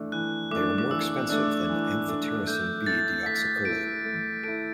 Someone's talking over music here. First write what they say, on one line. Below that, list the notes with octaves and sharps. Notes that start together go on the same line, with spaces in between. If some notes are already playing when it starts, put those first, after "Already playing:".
They are more expensive than amphotericin B deoxycholate.
Already playing: E3 A3 D4
E3 F#6
A3 D4 D6
D6
E3 E6
A3 D4 F#6
E3
A3 D4
A3 G6
E4 A4 A6
A3 B6
E4 A4 D7
A3
E4 A4 D7